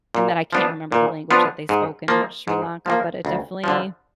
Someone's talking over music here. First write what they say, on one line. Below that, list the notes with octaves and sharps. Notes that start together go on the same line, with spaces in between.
and then I can't remember the language that they spoke in Sri Lanka, but it definitely
A#2
F3 B3 D4 F4
A#2
F3 B3 D4 F4
G#2
F3 A#3
G#2
F3 A#3
D2
D3 F3